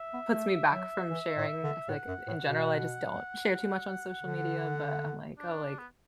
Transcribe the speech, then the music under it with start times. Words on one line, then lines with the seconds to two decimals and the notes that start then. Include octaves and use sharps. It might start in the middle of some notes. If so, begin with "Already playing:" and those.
puts me back from sharing, I feel like in general, I just don't share too much on social media, but I'm like, oh, like,
Already playing: E5
0.13 B3
0.33 A3
0.72 F#3
1.10 E3
1.37 A2
1.63 D3
1.88 A2 F#5
2.08 F#2
2.28 A2
2.47 B2
4.22 D3
5.38 D4
5.78 B3